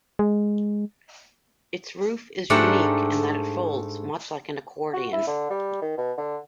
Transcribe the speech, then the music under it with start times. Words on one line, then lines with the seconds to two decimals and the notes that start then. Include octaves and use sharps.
Its roof is unique in that it folds much like an accordion.
0.19 G#3
2.50 G#2 A3 D4 G4 A#4 F#5
4.94 F#4
5.13 E4
5.27 D3
5.50 G3
5.82 D#3
5.98 B2
6.18 D3